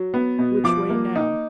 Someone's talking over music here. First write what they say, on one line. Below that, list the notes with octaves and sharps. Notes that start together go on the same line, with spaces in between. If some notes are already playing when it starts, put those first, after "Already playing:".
"Which way now?"
Already playing: F#3
B3
B2
F3 D6
A#3
D#4